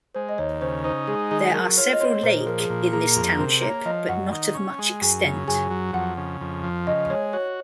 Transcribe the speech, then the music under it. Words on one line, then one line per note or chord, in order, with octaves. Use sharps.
There are several lake in this Township but not of much extent.
G#3 C5
D#5
D#2 C#5
C#3 C5
D#4 C5
G#3 G#4
D#3 G#4
F#3 A#4
F4 C#5
D#5
C4 C#5
A#2 C5
G#4
F3 A#4
G#4
A#2 A#4
A#3 G#4
F2 G#4
C3 A#4
A#3 C#5
F3 D#5
F#2 F#5
D#3
C#4
G#3
F#2 G#4 G#5
C#3
F#2 G#4 G#5
F#3
F2 F#5
C#3
F2
F3
C#3 D#5
G#3 C#5
F#4 C#5